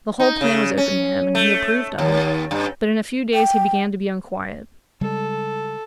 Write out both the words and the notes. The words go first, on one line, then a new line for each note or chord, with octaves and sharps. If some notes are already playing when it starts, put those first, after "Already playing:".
The whole plan was opened to him; and he approved of it. But in a few days he began to be unquiet.
D#4
C#3
C#4
A3
D#2
G2
G5
C#3 G3 G#3 A4